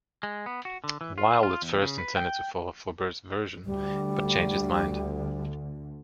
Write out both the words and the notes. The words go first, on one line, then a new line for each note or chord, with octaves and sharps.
Wilde at first intended to follow Flaubert's version, but changed his mind.
G#3
B3
F#4
D3
E3
F4
F4
E2
C#3
B4
G5
D2 D3 G3